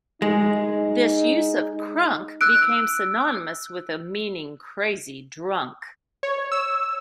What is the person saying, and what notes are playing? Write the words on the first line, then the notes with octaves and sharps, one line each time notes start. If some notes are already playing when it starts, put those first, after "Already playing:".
This use of "crunk" became synonymous with the meaning "crazy drunk".
G#3 D#4
E6 F#6 D7
C#5
E6